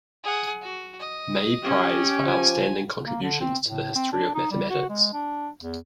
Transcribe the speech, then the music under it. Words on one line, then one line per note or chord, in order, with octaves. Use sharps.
May Prize for outstanding contributions to the history of mathematics.
G#4 F#5
F#4
D#5
C#4 G4
F3 G#5
A#3
D3
C4
A2
C4
D4
D#4
G3
F#4
G#3
D4
E2